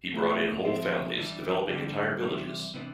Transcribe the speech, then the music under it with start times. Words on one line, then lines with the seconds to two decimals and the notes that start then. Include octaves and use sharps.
He brought in whole families, developing entire villages.
0.12 B2 A3 E4
0.65 F3 C4 E4 A4
1.17 G2 E3 G3 D4
1.69 G2 D3 G3 D4 G4
2.21 E2 C3 G3
2.74 C3 E3 B3 D4